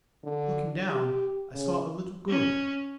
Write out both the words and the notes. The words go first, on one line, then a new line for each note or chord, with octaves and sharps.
Looking down I saw a little girl.
D3
G4
C#3
C#4